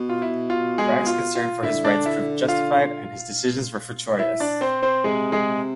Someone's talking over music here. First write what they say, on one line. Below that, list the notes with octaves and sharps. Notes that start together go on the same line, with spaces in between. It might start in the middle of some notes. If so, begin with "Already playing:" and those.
Bragg's concern for his right proved justified and his decisions were fortuitous.
Already playing: B2
F4
E4
F4
G#3 G#4
F4
F4
D3 E4 E5
D4 D5
E4 E5
F4 F5
E4 E5
D4 D5
C4 C5
C4 C5
C3 G#3 G#4
G#3 G#4